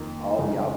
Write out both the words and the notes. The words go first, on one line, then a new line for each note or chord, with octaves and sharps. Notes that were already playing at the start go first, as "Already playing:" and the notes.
Oh, yep.
Already playing: F2 D#3 A#3
F#2 C#3 G#3